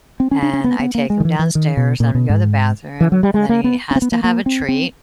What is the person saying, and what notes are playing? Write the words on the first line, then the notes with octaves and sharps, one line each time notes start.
and I take him downstairs, let him go to the bathroom, and then he has to have a treat,
C4
C#4
D4
C#4
B3
B3
A#3
G#3
D#3
E3
E3
D#3
B2
A#2
B2
G#2
E3
F#3
G3
G#3
A#3
B3
C#4
C4
B3
A#3
A#3
C4
C4